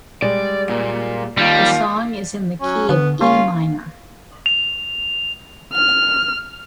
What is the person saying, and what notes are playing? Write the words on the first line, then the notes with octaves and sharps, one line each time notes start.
The song is in the key of E minor.
G3 G#3 D5
A#2
D#2 G3 F4
F#3 C#4
D3 B3
A#3 C#4 F4
F7
F6